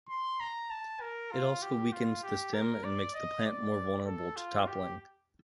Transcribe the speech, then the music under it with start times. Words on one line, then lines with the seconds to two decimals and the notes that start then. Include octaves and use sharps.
It also weakens the stem and makes the plant more vulnerable to toppling.
0.09 C6
0.40 A#5
0.70 A5
1.01 A#4
1.32 F4
1.62 G4
1.93 F4
2.23 G4
2.54 A#4
2.84 D5
3.14 D#5
3.45 D5
4.06 A4
4.36 F4
4.67 G4